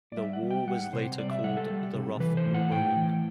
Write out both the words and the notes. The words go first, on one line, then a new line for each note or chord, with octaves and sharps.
The war was later called the "Rough Wooing".
D5
G3 E5
F#5
G3
G5
G3 F#5
C3 C5
G3 D5
E5
G3 F#5
A4
G3
C3
E3 B4
C5
A2
F#5
A2 G5
E3